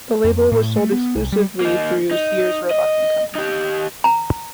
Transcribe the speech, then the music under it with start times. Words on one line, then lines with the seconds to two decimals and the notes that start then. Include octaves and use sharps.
The label was sold exclusively through Sears, Roebuck and Company.
0.24 F2
0.52 A2
0.76 A3
0.92 B3
1.15 C2
1.32 G3
1.61 A#3 D#4
2.11 D#4
2.71 D#5
3.35 D#4 G4
4.04 A#5